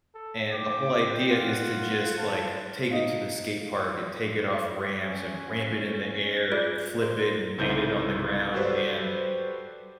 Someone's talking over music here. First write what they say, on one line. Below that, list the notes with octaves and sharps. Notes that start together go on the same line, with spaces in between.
And the whole idea is to just, like, take it to the skate park, and take it off ramps, and ramp it in the air, and flip it, and land it on the ground, and
A4
G5 D6
F4 F#5
F4 A5
D#4 F5
C#4
F4 G#4 D5
A#4 C5
C2 G#2 C#3 E4 A4 G6
F#4 G4 A4 B4 C5 D5